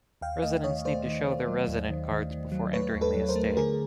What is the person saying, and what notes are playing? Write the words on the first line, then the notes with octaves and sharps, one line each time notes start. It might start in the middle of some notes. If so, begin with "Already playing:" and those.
Residents need to show their resident cards before entering the estate.
D#2 F5 G5
A3 D#5 F5
D#3 C#5 D#5
A3 C5 D5
D#3
A3
F#3
D#2
D#3
D#3
D#3
F#3
A3 B4 C#5
D#2
A4 B4
F#3
A#4 C5
A3
D3 G#4 A#4